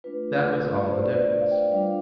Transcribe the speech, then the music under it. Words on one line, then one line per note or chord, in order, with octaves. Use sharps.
That was all the difference.
A3 D4 F4 B4
D5
C5
D5
D5
F5
G5
G3 D4 F4 F5